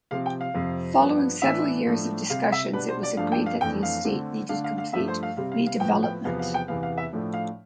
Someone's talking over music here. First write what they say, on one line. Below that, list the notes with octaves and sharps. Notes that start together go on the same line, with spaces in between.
Following several years of discussions, it was agreed that the estate needed complete redevelopment.
C3 F3 C4 F5
G5
F5
F2 C3 F3 C4
G2 F3 B3 D4
A2 E3 B3 D4 E5
A2 F3 A3 D4
C3 G3 C4 F5
E5
B2 G3 D4 B4
C5
D5
G2 F3 A3 D4 F5
G5
F5
F2 E3 A3 D4 G5
F5
D3 A3 C4
D3 A3 D4 F5
F5
F5
G2 F3 A3 E5
C5
F5
C3 G3 C4 F5
F5
F5
A2 F3 B3 G5
G5
E2 C3 F3 B3 F5
F5
G5
E2 C3 E3 B3 F5
F5
E5
A2 F3 A3 D4
F5